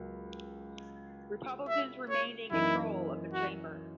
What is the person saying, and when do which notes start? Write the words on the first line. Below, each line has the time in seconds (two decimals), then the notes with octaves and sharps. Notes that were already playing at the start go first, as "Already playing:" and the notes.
Republicans remained in control of the chamber.
Already playing: C#2 F#3 A#3
1.69 E5
2.10 C#5
2.51 F#2 E3 A#3 D#4 E4
3.34 F#4